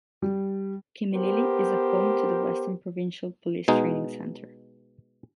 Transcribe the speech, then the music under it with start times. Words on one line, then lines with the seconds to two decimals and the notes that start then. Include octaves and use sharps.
Kimilili is a home to the Western Provincial Police Training Center.
0.22 G3
1.12 B3 G4 A#4 C5
3.68 B2 G#3 D#4